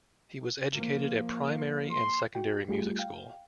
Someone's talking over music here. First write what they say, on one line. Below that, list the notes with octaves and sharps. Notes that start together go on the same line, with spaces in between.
He was educated at Primary and Secondary Music School.
F3 A#3
C6
F#4 G5
G3 A3 F4 G4 G#4
F5 G5